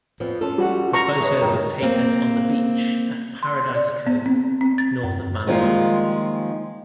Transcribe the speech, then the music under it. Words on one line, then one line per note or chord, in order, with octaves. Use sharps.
The photo was taken on the beach at Paradise Cove, north of Malibu.
F2 F3 B3
C#4 F4 A4
G3 F#4
A#5 C#6
G#4 B4 C#5 D#5 E5
G2 D#3 G#3 A#4
A#3 C4
C6
D5
B3
C4
C4
A6
F#2
D#3 F3 G3 G#3 A#3 F4